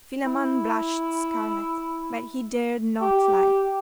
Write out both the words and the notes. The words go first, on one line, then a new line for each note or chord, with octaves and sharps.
Philammon blushed scarlet, but he dared not lie.
E4
G4